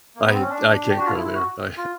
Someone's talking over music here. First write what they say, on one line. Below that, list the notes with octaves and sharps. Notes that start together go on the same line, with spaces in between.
I I can't go there. I
A#3
B3
C4
C#4
D4
G4
F#4
F4
E4
E4
F#4
F4